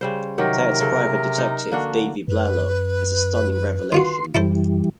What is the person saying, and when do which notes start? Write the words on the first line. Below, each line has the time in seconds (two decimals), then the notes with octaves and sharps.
Ted's private detective Davey Blalock has a stunning revelation.
0.01 C#3 G3 C5
0.38 C3 D#3 F#3 G4 A#4
0.80 C#3 A4
1.38 D#4
1.71 D3 A#3 D4 F#4
2.28 F#2 B4
3.92 D#3 F4 F#4 C6
4.35 F#2 E3 G3 E4 A4 C5